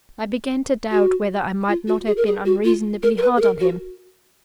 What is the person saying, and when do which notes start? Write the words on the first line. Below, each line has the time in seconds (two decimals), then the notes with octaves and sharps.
I began to doubt whether I might not have been unreasonably hard on him.
0.91 F#4
1.68 F4
1.88 F#4
2.07 G#4
2.17 A#4
2.26 G#4
2.46 F#4
2.65 F4
3.03 A#4
3.17 A#4
3.22 B4
3.37 G#4
3.41 A#4
3.60 F#4